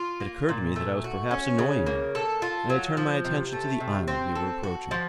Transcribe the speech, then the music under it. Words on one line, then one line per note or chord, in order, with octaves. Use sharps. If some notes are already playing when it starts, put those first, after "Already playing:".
It occurred to me that I was perhaps annoying them, and I turned my attention to the island we were approaching.
Already playing: F4
A#3
A#2
A3
F#4
C#4
C#3
A#3
A4
F4
F#3
F3
C3
A3
C3
C4
A4
F#4
F3